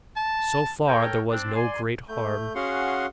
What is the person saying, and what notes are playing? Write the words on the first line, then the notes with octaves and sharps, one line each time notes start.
So far there was no great harm.
A5
A4 A#4 C#5 G5
C4 D4
D5 G#5 C6
A3 G6
C#4 F#4 G#4 F5 F#5 C6